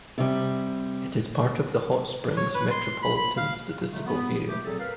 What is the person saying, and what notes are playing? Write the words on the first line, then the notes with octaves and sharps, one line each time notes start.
It is part of the Hot Springs Metropolitan Statistical Area.
C3 G3
C#5
B4
C6
B5
B5
F5
D3 F#3 G#3 A3
B3
A3 G4
A#2 F#3 C4 G#4 A4
A#4 B4 F5